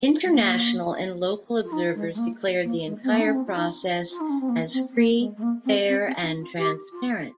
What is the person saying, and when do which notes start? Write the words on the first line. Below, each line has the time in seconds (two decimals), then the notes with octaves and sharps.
International and local observers declared the entire process as free, fair, and transparent.
0.24 G#3
0.32 A#3
1.63 F4
1.72 D#4
1.95 G#3
2.14 G#3
2.18 A#3
2.64 A#3
2.86 G#3
3.03 C4
3.10 A#3
3.19 D#4
3.26 C#4
3.33 C4
3.46 F4
3.56 D#4
4.10 F4
4.20 D#4
4.29 C#4
4.40 C4
4.49 A#3
4.73 C4
4.95 A#3
5.19 G#3
5.36 G#3
5.42 A#3
5.65 C4
5.88 C4
6.06 C4
6.18 F4
6.22 D#4
6.40 F4
6.57 G4
6.92 F4